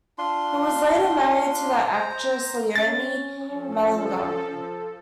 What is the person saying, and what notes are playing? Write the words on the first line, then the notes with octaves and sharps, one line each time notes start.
He was later married to the actress Leonie Mellinger.
D4 F4 C6
C5 A#5
C#4 A6
F3 A4